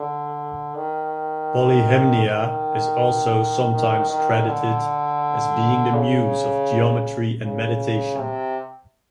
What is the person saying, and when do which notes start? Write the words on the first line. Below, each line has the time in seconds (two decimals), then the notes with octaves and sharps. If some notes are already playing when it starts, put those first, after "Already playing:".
Polyhymnia is also sometimes credited as being the Muse of geometry and meditation.
Already playing: D3
0.75 D#3
2.24 D#3
3.73 D#3
4.09 D#3
4.47 D3
5.94 C#3
7.43 C#3
8.18 C3